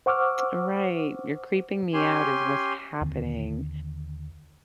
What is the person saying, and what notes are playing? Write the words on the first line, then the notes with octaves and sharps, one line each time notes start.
Right. You're creeping me out is what's happening,
C5 F#5 C#6 D6 E6 F6
C#4 G4 G#5 C6
D#2 D3 D#3 C4